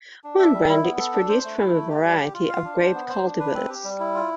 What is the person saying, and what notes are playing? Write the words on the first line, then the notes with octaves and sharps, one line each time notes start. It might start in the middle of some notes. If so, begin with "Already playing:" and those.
Wine brandy is produced from a variety of grape cultivars.
D4
E5
G3
E4
B3
A4
D4
C5
A3
E4
A3
G4
G3
G4
F4
F5
D4
C5
B3
C5
D4
B4
C4
G4
G3
E4
F4